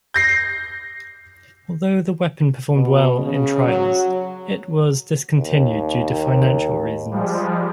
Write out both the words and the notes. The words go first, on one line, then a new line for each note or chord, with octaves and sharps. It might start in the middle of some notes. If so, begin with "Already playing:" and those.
Although the weapon performed well in trials, it was discontinued due to financial reasons.
G6 A#6 C7
B2
C#3
F#3
D#2
F3 G3 G#3